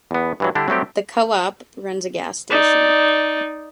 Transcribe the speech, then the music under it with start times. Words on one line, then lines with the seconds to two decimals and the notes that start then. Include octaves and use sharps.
The co-op runs a gas station.
0.11 E2 B3
0.40 G2 E3 F#3
0.55 D3 G3 D4 E4 G4
0.68 F#3 G3 A3 C4 G4
2.50 D#4 D5